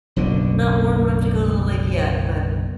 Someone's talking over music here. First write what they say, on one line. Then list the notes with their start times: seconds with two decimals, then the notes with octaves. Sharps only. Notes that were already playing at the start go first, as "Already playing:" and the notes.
not warm enough to go to the lake yet, but
0.16 F#1 B1 B2 D3